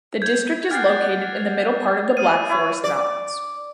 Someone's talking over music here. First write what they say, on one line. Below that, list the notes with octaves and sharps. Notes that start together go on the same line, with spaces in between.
The district is located in the middle part of the Black Forest mountains.
G6 G#6
G4 F#5 F6 A6 C7
D#6 F6 D#7
E4 C#5
D5